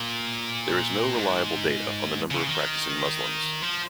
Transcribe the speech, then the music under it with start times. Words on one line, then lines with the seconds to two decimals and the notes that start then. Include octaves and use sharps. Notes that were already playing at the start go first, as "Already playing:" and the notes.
There is no reliable data on the number of practicing Muslims.
Already playing: A#2
1.14 G#2
2.31 C#3
2.47 D#3
3.63 F3